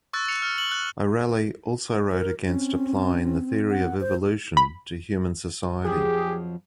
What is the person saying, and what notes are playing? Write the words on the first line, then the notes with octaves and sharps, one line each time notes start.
O'Rahilly also wrote against applying the theory of evolution to human society.
C#6 E6 F#6 A6
C#7 F7
F6
F#7
F#6
A#4
C4 C#4
F#5
C5
B5
F2 F3 F#3 G4 G#4